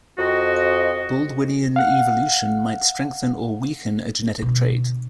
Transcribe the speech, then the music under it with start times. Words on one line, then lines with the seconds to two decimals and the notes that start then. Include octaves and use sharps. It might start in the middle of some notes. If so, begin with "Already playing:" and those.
Baldwinian evolution might strengthen or weaken a genetic trait.
0.18 F2 F#4 D#5
1.76 F5 F#5
4.42 B2 D3